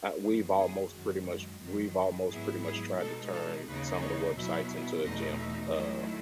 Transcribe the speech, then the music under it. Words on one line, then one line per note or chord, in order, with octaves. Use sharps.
I we've almost, pretty much we've almost pretty much tried to turn some of the work sites into a gym, uh,
F#2 E3 B3 G#4
G#4
F#2 D#3 G#3 F#4
F#2 D#3 F#3
G#2 F#3 B3 E4 G#4
G#4
B2 G#3 D#4 A4
A4
D#2 C#3 G#3 B3 D#4 B4
C#5
B2 F#3 B3 E4 E5
E2 B2 A3 D#4 D#5
E5
D#3 F#3 A3 E4 D#5